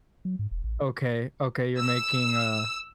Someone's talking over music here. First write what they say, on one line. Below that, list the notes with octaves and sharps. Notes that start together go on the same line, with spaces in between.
okay, okay, you're making a
F#3
G#2
E1
A1
E6